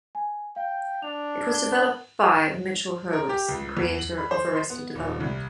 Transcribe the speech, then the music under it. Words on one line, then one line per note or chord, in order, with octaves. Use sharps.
It was developed by Mitchell Hurwitz, the creator of "Arrested Development".
G#5
F5 G5
D4 F7
A#4 G7
A#4
G4
C#2
E2
F#7
B5
C5
C6
B3
D#1
C2